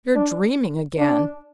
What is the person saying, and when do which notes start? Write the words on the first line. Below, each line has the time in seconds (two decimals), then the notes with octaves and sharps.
"You're dreaming again."
0.15 D4
0.98 D4